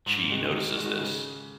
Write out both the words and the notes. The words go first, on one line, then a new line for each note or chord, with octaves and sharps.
Chee notices this.
G#2
D#3 G#3 F#4
G#2
D#3 G#3 F#4
C#3